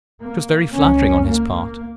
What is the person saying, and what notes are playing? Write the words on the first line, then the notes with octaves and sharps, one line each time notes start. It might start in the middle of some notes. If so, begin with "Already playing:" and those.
It was very flattering on his part.
A#3
C#2 C#3 C#4
A#3